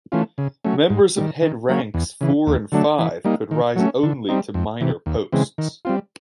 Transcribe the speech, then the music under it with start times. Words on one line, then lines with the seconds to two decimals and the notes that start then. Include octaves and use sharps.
Members of head ranks four and five could rise only to minor posts.
0.12 E3 A3 C#4 F4
0.38 C#3
0.65 F#3 A3 C#4
0.90 G#2
1.16 D#3 G3
1.42 D#3
1.69 F#3 A#3 C#4
1.94 E2
2.21 C#3 E3
2.47 D#2
2.72 D3 F#3 A3 D4
2.99 E3
3.24 G3 A#3 D#4
3.51 D#3
3.76 F#3 A3 C#4
4.03 D3
4.29 G3 C4 D#4
4.54 F2
4.81 C3 E3
5.06 D#2
5.33 C#3 E3 G#3 C4
5.58 D#3
5.85 G3 C4 F4